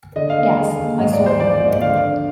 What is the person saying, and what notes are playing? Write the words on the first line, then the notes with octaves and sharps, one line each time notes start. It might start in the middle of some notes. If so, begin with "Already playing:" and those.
Yes, I saw him.
D3 D#5
F5
D#2
D#5
G#3
D#2
G#2 D#5
D5
G#3
C5
F3 D5
D5
G#1
D#5
D3 F5
D4